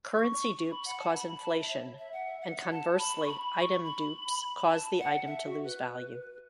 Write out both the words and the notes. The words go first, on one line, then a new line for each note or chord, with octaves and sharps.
Currency dupes cause inflation and conversely item dupes cause the item to lose value.
C#6
B5
F#5
A5
B5
B5
A5
E5
C#5
E5
F#5
E5
F#5
A5
B5
C#6
B5
C#6
B5
A5
F#5
E5
F#4
B4